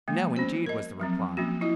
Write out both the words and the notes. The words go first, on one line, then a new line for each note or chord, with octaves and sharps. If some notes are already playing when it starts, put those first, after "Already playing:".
"No, indeed," was the reply.
F3 G#3 A#3
B3 C#4 F#4 C5
A#4 D#5
F3 F#3 C4
F3 A#3 C#4 F#4
E4 F4 D#5